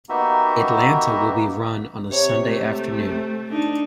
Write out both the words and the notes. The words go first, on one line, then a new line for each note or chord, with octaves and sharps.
Atlanta will be run on a Sunday afternoon.
A#3 B3 D#4 F#4 G4 E5
C3 C#5
A3
D4 D#4